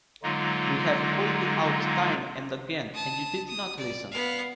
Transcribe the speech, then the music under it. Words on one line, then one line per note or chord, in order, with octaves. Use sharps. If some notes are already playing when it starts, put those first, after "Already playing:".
We have called you out time and again, and you did not listen.
D3 F#3 G#3 A#3 D#4 F4
A5 D#6
D#6
D5
B3 F5